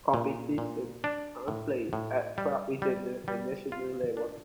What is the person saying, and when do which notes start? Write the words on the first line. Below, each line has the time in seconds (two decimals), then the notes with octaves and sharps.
Competitions are played at club, regional and national level.
0.14 A#2
0.58 A#2
1.04 D4
1.48 A2
1.93 A2
2.38 G3
2.82 G3
3.28 G3
3.72 F4
4.17 D4